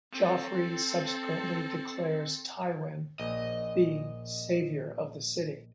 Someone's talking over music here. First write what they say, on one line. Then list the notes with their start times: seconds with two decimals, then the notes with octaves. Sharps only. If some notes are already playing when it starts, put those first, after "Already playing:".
Joffrey subsequently declares Tywin the "Savior of the City".
0.12 C4 A4
3.20 A#1 D#5